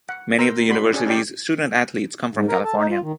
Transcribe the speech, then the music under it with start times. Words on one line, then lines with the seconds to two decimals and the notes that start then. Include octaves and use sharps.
Many of the university's student-athletes come from California.
0.09 F#5
0.39 A#4 C5 A#5 E6
0.69 D4 F#4 B5 C6
0.93 C#4 D4 G#4
1.06 C#4 D#4 G4 D5 G5
2.34 G#2
2.48 A#4
2.64 A4
2.76 D#4
2.90 F4
3.03 D#3